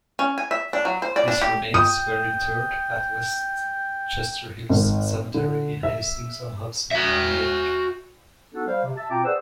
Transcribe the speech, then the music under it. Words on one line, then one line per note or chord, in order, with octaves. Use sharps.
His remains were interred at Westchester Hills Cemetery in Hastings-on-Hudson, New York.
C#4
G#5
E5
D4
F#3
C5
D5
D4
G4
G5 D#6
G#1
D3
E5
F#4 E5
B3 D4 D#4 F#4 A4
G3 C5 F5
C3
E5 A5
B2 C4 F4 G5 A#5 D6
G#4 B4 C5 D5 F#5 E6